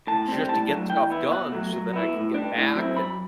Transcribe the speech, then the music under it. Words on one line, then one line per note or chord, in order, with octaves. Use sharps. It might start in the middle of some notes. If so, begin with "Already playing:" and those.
just, to get stuff done so that I can get back and,
A2 A5
G3 C4
A2 A5
F#3 A3 D4
E3 G5
B3 E4
B2 F#5
F#3 A3
F#3
B3 E4
A2
G3 D4
A2
F#3 C4 E4
F#3 B5